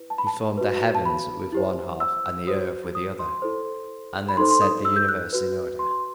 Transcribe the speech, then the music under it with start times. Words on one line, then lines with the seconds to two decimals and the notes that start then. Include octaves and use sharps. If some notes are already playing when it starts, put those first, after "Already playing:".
He formed the heavens with one half and the earth with the other, and then set the universe in order.
Already playing: E4 B4
0.10 A5
0.18 B5
0.27 A5
0.57 F#4 B4
0.95 A5
1.05 B5
1.52 E4 G4 C5
2.00 E6
2.47 F#4 C5 D#6
2.95 D#6
3.19 C6
3.42 E4 A4 C5
4.29 B5
4.37 D#4 A4 C5 C6
4.51 C6
4.61 D#6
4.85 E6
4.96 G6
5.09 F#6
5.33 F#4 B4
5.79 C6